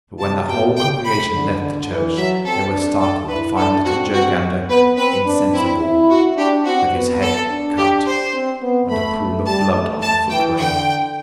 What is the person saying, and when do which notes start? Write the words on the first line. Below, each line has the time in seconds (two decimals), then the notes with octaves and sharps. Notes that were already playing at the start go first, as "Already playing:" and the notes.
But when the whole congregation left the church they were startled to find little Joe Gander insensible, with his head cut, and a pool of blood on the footway.
0.20 C3 A5
0.48 B2 G5
0.77 C3 G5
1.04 C3 B5
1.33 D3
1.61 D3
1.89 E3
2.17 F#3 E5
2.45 C4 A4
2.73 D4
3.00 A4
3.29 E4 B4
3.56 D4 A4
3.85 C4 F#4
4.13 F#4
4.69 B3 B4
4.97 C4 B4
5.25 D4
5.53 C4 E4
5.81 E4
6.10 F#4
6.37 D4 G4
6.65 C4 F#4
6.93 B3
7.21 A4
7.49 D4
7.77 G4
8.05 C5
8.34 C4
8.62 B3
8.90 A3 B5
9.46 G3 A5
9.74 A3
10.02 A5
10.29 E3 G5
10.58 D3 G5